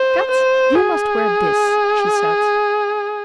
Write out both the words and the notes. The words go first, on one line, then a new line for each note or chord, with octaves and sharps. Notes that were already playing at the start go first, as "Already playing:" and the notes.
"Kat, you must wear this," she said.
Already playing: C5
C5
G#4